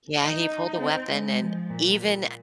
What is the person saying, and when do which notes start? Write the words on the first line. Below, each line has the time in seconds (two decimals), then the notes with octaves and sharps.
Yeah, he pulled a weapon, and even a eh,
0.23 D#4
0.81 C4
1.11 G#3
1.40 F3
1.70 A#2